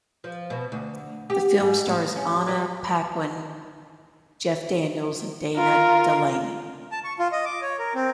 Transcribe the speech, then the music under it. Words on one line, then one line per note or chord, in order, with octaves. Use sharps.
The film stars Anna Paquin, Jeff Daniels and Dana Delany.
F3
B2
D2
G4
G#2
A2
C#4
G3
F4 A#4
A5
C#6
F4
D#5
D6
C#5
A#4
C4